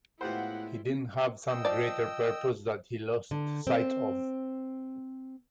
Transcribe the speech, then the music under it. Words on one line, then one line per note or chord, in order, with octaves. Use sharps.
He didn't have some greater purpose that he lost sight of.
A2 G#3 B3 E4 F4 G4 C5 F#5
D#5 G5 E6
F3 D5
D3
C4